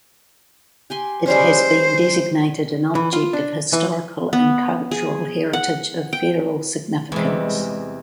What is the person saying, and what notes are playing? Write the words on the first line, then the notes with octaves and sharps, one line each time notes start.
It has been designated an object of historical and cultural heritage of federal significance.
G4 G#5 C6
G3 G#3 C#4 C5
E3
F4
D4
E3
B3
G#4
F#5
G5
E2 C3 G3 G#3